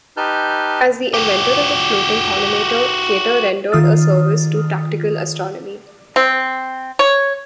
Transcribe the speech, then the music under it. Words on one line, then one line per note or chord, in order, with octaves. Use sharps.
As the inventor of the floating collimator, Kater rendered a service to practical astronomy.
D#4 G4 B4 A5 F6 G6
F#4 G4
D#3 F4 D#6 F6 A6
C4
C#5